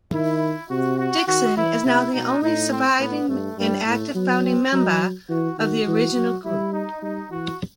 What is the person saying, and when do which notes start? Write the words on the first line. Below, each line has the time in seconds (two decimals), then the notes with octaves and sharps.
Dixon is now the only surviving, and active, founding member of the original group.
0.13 D#3 E4
0.70 C3 F#4
0.99 F#4
1.27 D#3 F#4
1.56 E3 E4
1.85 C3 E4
2.14 B2 D#4
2.42 A2 D#4
2.72 C4
3.00 A2 B3
3.29 G2 A3
3.58 G2 G3
3.86 A2 A3
4.15 F#3 B3
4.44 C4
4.73 F#3 D#4
5.29 E3 F#4
5.58 D#3 F#4
5.87 E3
6.16 F#3
6.45 G3 E4
6.73 D#4
7.02 G3 D#4
7.31 E3 F#4